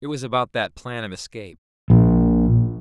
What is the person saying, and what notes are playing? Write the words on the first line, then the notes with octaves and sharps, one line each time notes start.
It was about that plan of escape.
A#1